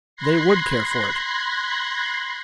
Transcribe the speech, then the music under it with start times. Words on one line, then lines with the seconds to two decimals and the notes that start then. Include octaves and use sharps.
They would care for it.
0.16 B5 C6 F#6 G#6 A#6 C7